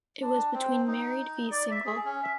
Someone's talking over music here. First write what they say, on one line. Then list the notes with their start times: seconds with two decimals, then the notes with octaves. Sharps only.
It was between Married v Single.
0.22 D4
0.54 C4
0.87 D#4
1.51 D5
1.71 E5
1.86 G#4
2.05 C#4
2.23 E5